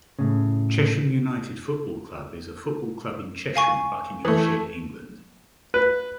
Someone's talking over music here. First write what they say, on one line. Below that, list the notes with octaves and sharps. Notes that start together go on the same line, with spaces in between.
Chesham United Football Club is a football club in Chesham, Buckinghamshire, England.
A2 C#3
F5 G#5 C#6
E3 A3
B4